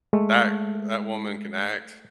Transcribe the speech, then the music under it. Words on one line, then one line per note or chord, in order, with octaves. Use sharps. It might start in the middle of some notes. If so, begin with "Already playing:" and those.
that that woman can act
G#3 A3